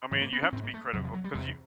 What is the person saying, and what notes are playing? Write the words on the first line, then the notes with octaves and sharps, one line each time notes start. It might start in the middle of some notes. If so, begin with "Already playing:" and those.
I mean, you have to be critical, 'cause you
G#2 E3
A#3
B3
C#4
G#2 C4
A#3
A3
E2 C3 F#3
F3
F#3
G3
E2 C3 G#3